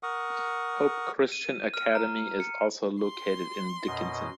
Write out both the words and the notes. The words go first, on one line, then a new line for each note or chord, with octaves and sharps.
Hope Christian Academy is also located in Dickinson.
A#4 F#5 C#6 D#6
D#7
F6
A#5
C#7
C6
F#2 B2 D#5